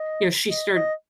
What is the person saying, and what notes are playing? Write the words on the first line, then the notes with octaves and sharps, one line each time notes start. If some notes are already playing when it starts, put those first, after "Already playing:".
you know, she started
Already playing: D#5
D#5
D#5